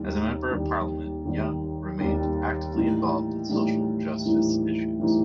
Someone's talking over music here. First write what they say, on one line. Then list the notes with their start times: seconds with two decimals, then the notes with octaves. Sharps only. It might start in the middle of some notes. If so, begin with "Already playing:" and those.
As a member of parliament, Young remained actively involved in social justice issues.
Already playing: D#2 D#3 G3
0.50 D#2 D#3 G3
1.25 D#2 D#3 G3
2.00 D#2 D#3 G3
2.75 A2 E3 G3 D#4
3.49 A2 E3 G3 D#4
4.25 A2 E3 G3 D#4
4.99 A2 E3 G3 D#4